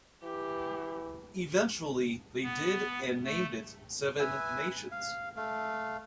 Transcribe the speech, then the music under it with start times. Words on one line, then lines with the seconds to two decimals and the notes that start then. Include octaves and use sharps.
Eventually they did and named it Seven Nations.
0.23 E3 G4
2.43 B3
3.24 A3
4.19 B4 E5 G#5
4.92 F5
5.36 A3 F5